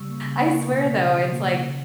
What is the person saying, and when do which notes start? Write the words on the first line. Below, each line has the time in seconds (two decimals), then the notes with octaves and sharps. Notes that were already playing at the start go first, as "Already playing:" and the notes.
I swear, though, it's, like
Already playing: C#3 G3 C#6 E6
0.09 A#3
0.24 C#3
0.39 A#3 A#5 C#6
0.55 A#3
0.71 B2
0.86 B2
1.01 C#3
1.16 E3
1.31 A#3
1.47 C#3
1.62 D#3